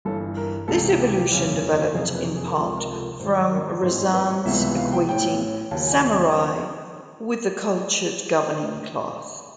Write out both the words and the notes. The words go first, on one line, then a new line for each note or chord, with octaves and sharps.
This evolution developed in part from Razan's equating samurai with the cultured governing class.
G1 G2 E3 A4
A#4
C#2 C3 E3 A4
G4
F#1 E2 C#3
F#1 F2 C3 G#4
B4
G#4
A#4
C#2 C3 F3 A4
A#4
A4
A#4
G#2 D#3 F#3 C5
C#5
A#4
C5
A1 G#2 E3 G#3 C4 C5
C5
B4
C#5
C#2 C3 E3 G#3 B3 E5
E5
F5
G5
A1 A2 E3 G5
D#2 C#3 F#3 A5
G#5